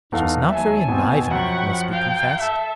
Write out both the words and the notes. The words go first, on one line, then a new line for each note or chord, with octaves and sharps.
It was not very enlivening, it must be confessed.
E2 D#4 A4 F5
D#2 F#3 E5 G#5 A5
B2 C4
F#2 F3 F#5 G5 B5 C#6
F5 G5
A4 E5